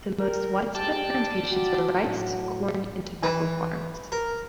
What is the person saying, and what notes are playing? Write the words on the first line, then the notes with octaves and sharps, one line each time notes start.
The most widespread plantations were rice, corn and tobacco farms.
G4 A#4
F2 G#2 G4 D5 G5 A5
G3 D4
F#4
A2 F#3
E3
A#4